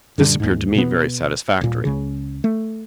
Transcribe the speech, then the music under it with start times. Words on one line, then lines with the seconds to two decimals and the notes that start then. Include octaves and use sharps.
This appeared to me very satisfactory.
0.18 F#2 A#2 D3 G3
0.40 D#2 G#2
0.75 B2 B3
1.61 D#1 A#2
1.85 C#2 C#3
2.44 A3